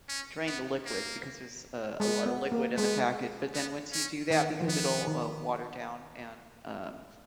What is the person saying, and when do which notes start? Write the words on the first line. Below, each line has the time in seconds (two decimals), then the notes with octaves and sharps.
drain the liquid because there's, uh, a lotta liquid in the package, but then once you do that because it'll, uh, water down and, um,
0.09 C#4
0.47 B3
0.86 A#3
2.00 G#3 B3
2.26 B3
2.52 A#3
2.77 G#3 B3
3.54 B3
3.93 C#4
4.30 D#3 B3
4.60 F3
4.69 D#3 B3
5.07 D#3